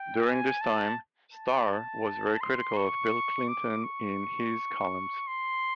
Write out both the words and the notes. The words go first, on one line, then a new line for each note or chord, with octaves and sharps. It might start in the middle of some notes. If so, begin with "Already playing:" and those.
During this time, Starr was very critical of Bill Clinton in his columns.
Already playing: G5
G#5
A5
A5
C6
C#6
D6
C#6
C6